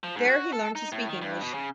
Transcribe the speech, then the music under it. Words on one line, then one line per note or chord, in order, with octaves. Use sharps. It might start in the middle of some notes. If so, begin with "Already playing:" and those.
There he learned to speak English.
F3
G#2
F#4
A4
D#4
A2
D#3
G2
B2
C#3